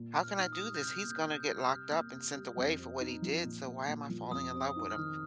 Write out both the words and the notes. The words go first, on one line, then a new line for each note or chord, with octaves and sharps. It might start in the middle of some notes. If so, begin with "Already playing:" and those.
how can I do this? He's gonna get locked up and sent away for what he did, so why am I falling in love with him?"
Already playing: A#2
A#3
F6
D#4 F6
D#6
G3
G6
C3 F6
A#3
G6
C3
G6
G3
C3 F6
A#3
C3
G3
F2
C4
D#4
F3
A#2
A#3
A#2
F3
F2 D#6
C4
D#6
D#4 D#6
F6
D#3